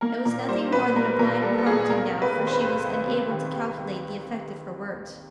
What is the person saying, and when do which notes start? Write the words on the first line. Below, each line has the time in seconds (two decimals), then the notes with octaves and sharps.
It was nothing more than a blind prompting now, for she was unable to calculate the effect of her words.
0.01 A#3 A#4
0.25 A#2 A#4
0.49 G3 C5
0.72 B1 B4
0.96 A#3 A#4
1.19 A#2 A#4
1.42 G3 A4
1.58 A4
1.66 B1 G#4
1.90 C#2 A#4
2.14 C3
2.22 B4
2.37 D#3
2.47 C5
2.53 B4
2.61 C#2
2.84 C#2
3.07 C3
3.30 D#3